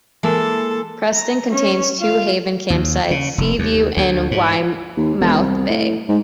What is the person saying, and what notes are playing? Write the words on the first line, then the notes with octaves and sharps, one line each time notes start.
Preston contains two Haven campsites, Seaview and Weymouth Bay.
E3 G#3 A#3 A4
A#5
C#4 C#5
F4 F5
D#2
C#3
F1
D#2
D2
G#2
D#2
E1
C2
A2
G#2